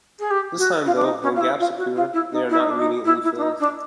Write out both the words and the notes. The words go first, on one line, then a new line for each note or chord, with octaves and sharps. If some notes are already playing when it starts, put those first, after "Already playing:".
This time though, when gaps occur, they are not immediately filled.
G#4
G4
F#4
F4
D4
D#4
C#4
F4
E4
F4
F#4
F4
E4
D#4
E4
D#4
D4
D#4
E4
E4
D4
D#4
D4